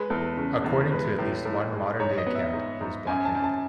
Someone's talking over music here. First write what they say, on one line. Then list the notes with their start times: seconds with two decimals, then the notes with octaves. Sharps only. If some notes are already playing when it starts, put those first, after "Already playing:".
According to at least one modern day account he was blackmailed.
Already playing: G#3 B4
0.10 E2 A4
0.37 C#3
0.64 E2
0.92 G#3 B4
1.18 A2
1.45 A2
1.73 G#3
1.99 G#2 C#5
2.18 D#5
2.27 B3
2.35 E5
2.53 G#2
2.81 G#2
3.07 F#2 G#5
3.25 A5
3.35 F#2
3.44 A5